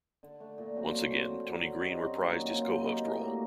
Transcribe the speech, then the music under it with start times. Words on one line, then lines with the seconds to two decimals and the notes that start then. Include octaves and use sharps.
Once again, Tony Green reprised his co-host role.
0.23 D3
0.40 A3 D4
0.58 A#2
0.75 F#3 C4 F#4
0.93 D3
1.11 F#3 C4
1.28 D3
1.46 F#3 C4
1.63 G3
1.81 C4 D#4 F#4
1.98 F#2
2.16 F#3 A#3 D4
2.33 D#3
2.51 F#3 C4 G4
2.68 F#3
2.86 A#3 D#4 G4
3.03 A2
3.21 G3 A#3 F#4